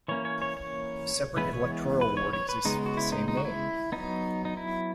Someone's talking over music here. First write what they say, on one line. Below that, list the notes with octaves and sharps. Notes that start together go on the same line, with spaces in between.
A separate electoral ward exists with the same name.
E3 A#3 C#4 C#5
C#5
C#5
C#5
E3 G#3 B3 B4
C#5
B4
C#5
C#5
B4
C#3 G#3 B3 D#4
F#4
E4
D#4
D#4
F#4
E4
F#3 B3 D#4
D#4
E4